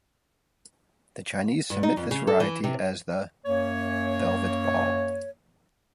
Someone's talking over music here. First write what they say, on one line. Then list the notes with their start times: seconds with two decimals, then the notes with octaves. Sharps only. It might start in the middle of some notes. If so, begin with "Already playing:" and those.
The Chinese submit this variety as the "Velvet ball".
1.70 G2
1.83 D#4
1.97 F2
2.11 C#3
2.27 A4
2.40 E3
2.64 C3
3.46 F#2 A#3 C#5